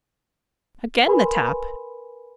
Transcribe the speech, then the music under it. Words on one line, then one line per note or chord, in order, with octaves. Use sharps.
Again the tap!
A#4 B4 G#5 B5 C6